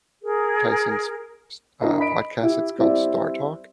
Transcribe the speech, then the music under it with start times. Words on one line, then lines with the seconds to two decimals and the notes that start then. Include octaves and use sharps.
Tyson's s uh, podcast, it's called "Star Talk"
0.23 G#4 A#4
1.82 D4 E4 A#4 D#5
1.99 D#5 B5 B6 D7
2.41 E4 G4
2.78 G3 C4 E4 D5 E5